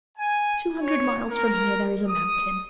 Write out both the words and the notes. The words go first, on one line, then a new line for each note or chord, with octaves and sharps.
Two hundred miles from here there is a mountain.
G#5
C#5
A#4
D#6